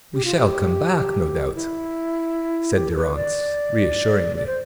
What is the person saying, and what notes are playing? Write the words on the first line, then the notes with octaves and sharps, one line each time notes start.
"We shall come back, no doubt," said Durrance, reassuringly.
G4
F4
G4
E4
G4
A4
B4
D5
D5
C5